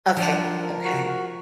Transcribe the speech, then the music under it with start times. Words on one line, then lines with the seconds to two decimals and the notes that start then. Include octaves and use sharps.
Okay, okay.
0.17 F3 D4
0.39 A#4
0.62 A#4
0.84 F#4
1.06 F#4